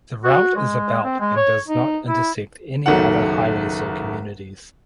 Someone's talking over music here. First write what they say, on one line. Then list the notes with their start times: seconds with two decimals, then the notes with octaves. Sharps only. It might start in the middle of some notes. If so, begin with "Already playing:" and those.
The route is about and does not intersect any other highways or communities.
0.24 F#4
0.56 G#3
1.04 C4
1.20 G#3
1.36 C#5
1.68 D#4
2.08 E4
2.86 F#1 B1 D#3 A4 F#5